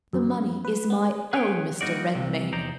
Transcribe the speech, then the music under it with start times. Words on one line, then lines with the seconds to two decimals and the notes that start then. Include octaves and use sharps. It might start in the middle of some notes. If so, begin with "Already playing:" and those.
"The money is my own, Mr. Redmain."
0.13 F#2
0.65 B4
0.90 B3
1.33 G#4 B4 C#5 F5 G5
1.81 G3 A#3 D#4 F#4 D5
2.15 C2 C3
2.53 E2 D#4 C5 D5 A#5